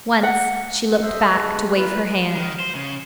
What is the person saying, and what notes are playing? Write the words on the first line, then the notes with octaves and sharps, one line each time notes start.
Once she looked back to wave her hand.
F#5
G3 A4 C5 D#5 E5
G1 G#3 A3 F#4 B4 A5
B3 E4 F4 A#4 B4
D#3
C5
C#3